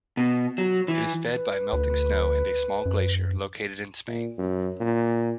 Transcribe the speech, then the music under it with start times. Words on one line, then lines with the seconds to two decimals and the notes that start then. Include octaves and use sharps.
It is fed by a melting snow and a small glacier, located in Spain.
0.17 B2
0.58 F#3
0.88 E3
1.33 B4
1.73 D2
2.86 F#2
4.08 A#2
4.38 F#2
4.80 A#2